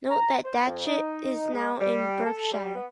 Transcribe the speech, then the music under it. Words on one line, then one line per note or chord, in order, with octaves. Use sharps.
Note that Datchet is now in Berkshire.
A#5
C5
F2
D#4
G#3
G3
A4
G3
B3